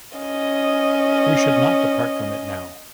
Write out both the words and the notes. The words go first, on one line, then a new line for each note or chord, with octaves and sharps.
We should not depart from it now.
C#4 D#5